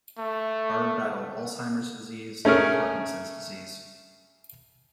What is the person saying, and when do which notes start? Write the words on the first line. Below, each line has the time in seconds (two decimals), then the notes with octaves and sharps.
Ard battled Alzheimer's disease and Parkinson's disease.
0.19 A3
2.45 A3 C#4 G#4 A#4